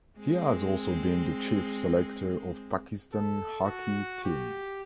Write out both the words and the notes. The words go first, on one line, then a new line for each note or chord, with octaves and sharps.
He has also been the Chief Selector of Pakistan hockey team.
G#3 C4
A4
F#4
G4